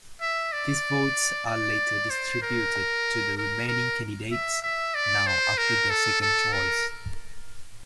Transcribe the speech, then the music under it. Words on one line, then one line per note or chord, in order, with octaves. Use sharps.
These votes are later distributed to the remaining candidates, now after their second choice.
E5
D5
D5
C5
A#4
A#4
A#4
E5
E5
D5
C5
A#4
A4
A4
A#4